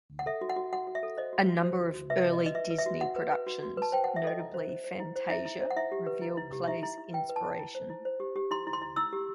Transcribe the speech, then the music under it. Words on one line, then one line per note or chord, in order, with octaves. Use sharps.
A number of early Disney productions, notably "Fantasia", reveal Kley's inspiration.
F#5
A4 E5
F#4
F#5
F#4
F#4 F#5
F#4
E5
A4
C5 D#5
F#4
F#4
C5
F#4
F#4
B4 E5
F#4
D#5
B4
D#5
B4 E5
B4
E5
F#4
F#4 F#5
B4
B4
F#4
F#4
B4 A5
C5 G5
C5 F#5
E5
A4 D#5
E4
C5
C5
C5
E4
C5
E4 E5
E4
C5
F#5
E4 E5
G4
B4
E4
E4
G4
E4 E5
E4
E4
B4 G5
B4
A5
E4
E4
C5
E4
C5
G4
G4
E4 C6
E4
C6
E4
E4 E6
G4